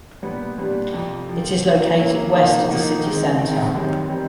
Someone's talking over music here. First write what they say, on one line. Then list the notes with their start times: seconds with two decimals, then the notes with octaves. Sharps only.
It is located west of the city center.
0.22 A#2 G3 B3 D4 G4
0.58 A#2 G3 B3 D4 G4
0.93 F2 C3 F3
1.28 F2 C3 F3
1.63 F#3 A#3 C#4
1.98 F#3 A#3 C#4
2.33 F3 A#3 D#4 F#4
2.69 F3 A#3 D#4 F#4
3.03 D#3 G#3 C4
3.39 D#3 G#3 C4
3.74 F#2 D#3 G3 C4
4.09 D#3 G3 C4